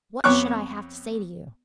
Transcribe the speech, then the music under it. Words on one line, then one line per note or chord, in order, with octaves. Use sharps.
"What should I have to say to you?"
F2 B3 C#5 C#6 D6 F#6